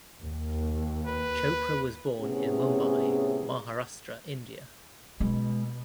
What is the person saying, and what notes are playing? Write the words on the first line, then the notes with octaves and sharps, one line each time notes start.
Chopra was born in Mumbai Maharashtra India.
D#2
B4
A2 C3 B3 C#4 G#4
B2 G#3 C#4